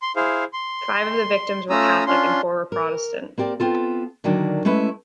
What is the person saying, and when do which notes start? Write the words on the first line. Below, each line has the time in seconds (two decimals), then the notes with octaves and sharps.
Five of the victims were Catholic and four were Protestant.
0.02 C6
0.16 E4 G#4 C5 F5
0.53 C6
1.70 A3 C#4 F4 A#5 D#6 E6
2.06 C#4 D4 F4 C6
2.72 A#4
3.38 A#3 C4 G4 D5
3.60 B3 C4 F4 A4
4.24 D3 D#3 F#3 A#3 D4
4.65 G#3 A3 C#4 E4 B4